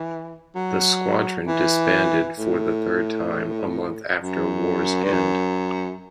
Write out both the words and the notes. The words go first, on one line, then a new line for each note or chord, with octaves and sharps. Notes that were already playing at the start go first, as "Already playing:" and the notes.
The squadron disbanded for the third time a month after war's end.
Already playing: E3
F#3
E3
A2
F#2
G2
F#2